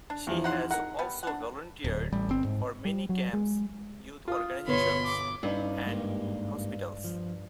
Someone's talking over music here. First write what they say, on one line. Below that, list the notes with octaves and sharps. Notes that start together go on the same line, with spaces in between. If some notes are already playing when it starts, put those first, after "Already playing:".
She has also volunteered for many camps, youth organizations, and hospitals.
D4
E2 F3
D#4 F#5 C6
D#4 A#4 F#5
G3 B3
D4 F#5
D1
A1 G3
G1 C4
G#2
G3
F#3
G#3
F4 D#6
G1 B2 B4 C#5 B5 C6
D6
G2 C#4 D#4
G#2 A#3 G4
F3